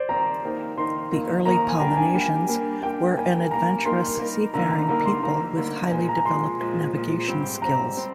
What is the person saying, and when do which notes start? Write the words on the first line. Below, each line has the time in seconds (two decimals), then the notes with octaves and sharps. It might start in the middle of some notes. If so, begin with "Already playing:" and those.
The early Polynesians were an adventurous seafaring people with highly developed navigation skills.
Already playing: C5 D5
0.09 D#3 G3 C4 G4 A#5
0.43 F2 D#3 A#3 D#4
0.77 F2 D#3 A#3 D#4 C6
1.12 F2 D#3 A#3 D#4
1.45 F2 D#3 A#3 D#4 A#5
1.68 G#5
1.80 G3 A#3 D4 G4 A#5
1.97 G#5
2.14 G3 A#3 D4 G4
2.48 G3 A#3 D4 G4
2.83 G3 A#3 D4 G4 G5
3.17 G3 A#3 D#4 A#4 G#5
3.51 G3 A#3 D#4 A#4 A#5
3.85 G3 A#3 D#4 A#4 C6
4.19 G3 A#3 D#4 A#4
4.54 D2 D3 G3 A#3 D#4 A#5
4.72 A#5
4.88 D2 D3 G3 A#3 D#4 A#5
5.06 C6
5.22 D2 D3 G3 A#3 D#4 A#5
5.56 D2 D3 G3 A#3 D#4
5.91 A#2 F3 G#3 G#5
6.09 A#5
6.25 A#2 F3 G#3 C6
6.59 A#2 F3 G#3
6.94 A#2 F3 G#3
7.28 G#2 G3 C4
7.62 G#2 G3 C4 A#5
7.97 G3 C4